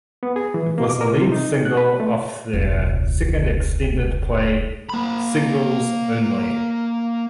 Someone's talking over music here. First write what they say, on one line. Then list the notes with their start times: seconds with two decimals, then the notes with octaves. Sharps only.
It was the lead single off their second extended play "Singles Only".
0.23 B3
0.36 G#4
0.54 E3
0.78 A#3
0.89 D6
1.01 A#4
1.17 C3
1.32 D#4
1.65 F#6
1.77 B4
2.00 A3
2.53 E1 C#2
4.89 A#3 B5